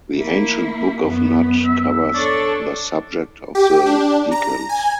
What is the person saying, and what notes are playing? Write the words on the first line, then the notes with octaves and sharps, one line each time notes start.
The ancient Book of Nut, covers the subject of the decans.
A#3 E4
F#2 B3
E5
D4 A4 C#5
G4
D4
A#5
G#5